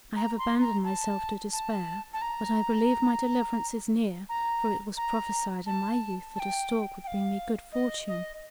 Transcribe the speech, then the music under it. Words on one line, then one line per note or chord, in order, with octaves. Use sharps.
"I have abandoned myself to despair, but I believe my deliverance is near, for it was prophesied in my youth that a stork would bring me good fortune."
A#5
C6
A#5
A5
A5
A5
A#5
A#5
A#5
A5
A5
G5
G5
F5
D#5
D#5